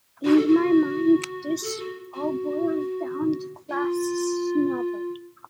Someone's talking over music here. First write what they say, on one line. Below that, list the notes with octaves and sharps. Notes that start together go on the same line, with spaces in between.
In my mind, this all boils down to class snobbery.
F#4
A4
F#4
A4
F#4
F#4
F4